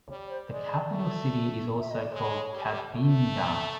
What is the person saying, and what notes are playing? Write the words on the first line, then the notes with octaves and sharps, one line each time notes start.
The capital city is also called Cabinda.
G3 C#5
C#5
C5
G#3 D5
A3
E5
D#5
D5
G#3 C#5
G3
A3